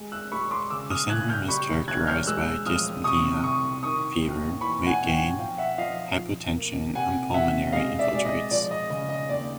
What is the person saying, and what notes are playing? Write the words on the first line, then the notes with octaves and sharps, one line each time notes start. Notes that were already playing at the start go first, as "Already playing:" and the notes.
The syndrome is characterized by dyspnea, fever, weight gain, hypotension, and pulmonary infiltrates.
Already playing: G#3
E6 F#6
G#3 B5 C#6
C6 D6
C#3 D6 E6
D#6 F6
C#3 F#6 G#6
F#6
F6 G6
G3 B5 C#6
E1 F#6 G#6
F6 G6
G#3 E6 F#6
F3 D#6 F6
C3 C#6 D#6
C2 C#6 D#6
D#3 C#6 D#6
D#2
E3 B5 C#6
F#5 G#5
B1
G5
F#5 G#5
F3 F5 G5
E5 F#5
F3 D#5 F5
F3
A#3
C3 F#5 G#5
C3 E5 F#5
G#3 D#5 F5
D5 E5
G#3 D5
D#5
F3 D5
D#5
C#3 D#5
D#5
D#2 D5